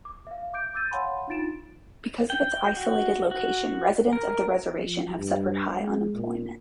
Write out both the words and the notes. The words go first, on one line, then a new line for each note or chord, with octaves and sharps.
Because of its isolated location, residents of the reservation have suffered high unemployment.
D6
E5 F5
D6 G6 D7
D6 E6 G6 A6 D#7
C#5 F5 F#5 G#5 B5 C6
D4 D#4 F4 A6 D7 E7
G5
F#4
F#4
A#4
F3
G2
G#3
A#2